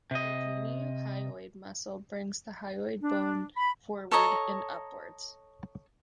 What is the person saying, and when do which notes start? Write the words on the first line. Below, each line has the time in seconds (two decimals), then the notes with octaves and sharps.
The geniohyoid muscle brings the hyoid bone forward and upwards.
0.11 C3 D#5
3.01 D4
3.57 B5
4.11 A4 C#5 D#5 A#5